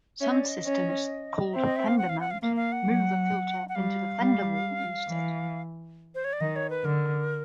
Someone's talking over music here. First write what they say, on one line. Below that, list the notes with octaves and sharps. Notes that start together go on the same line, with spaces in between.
Some systems, called "fender mount," move the filter into the fender wall instead.
C#4 E5
D#5
D5
D#5
C#4
C4 E5
D#5
E5
F5
F#5
F5
F#5
F5
A#3 F5
F5
F#5
F#3
F#5
G3 F5
G3
E3
C5
C#5
D5
D#3 D#5
C#5
B4
D3 A#4